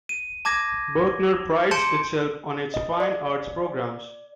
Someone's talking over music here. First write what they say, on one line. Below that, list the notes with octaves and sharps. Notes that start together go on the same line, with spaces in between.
Berkner prides itself on its fine arts programs.
D#7
A5 D6 G#6 A#6
A5 C6 G6 C#7 D7 E7
D#5
D5